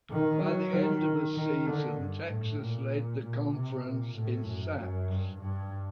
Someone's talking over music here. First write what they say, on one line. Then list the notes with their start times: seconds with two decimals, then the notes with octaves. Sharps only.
By the end of the season, Texas led the conference in sacks.
0.11 D#3
0.42 F#3
0.73 D#3
1.35 D#3
1.66 D3
1.97 G2
2.29 A2
2.60 A#2
3.22 A#2
3.53 C3
3.85 A#2
4.16 A2
4.47 F#2
4.78 F#2
5.09 G2
5.41 G2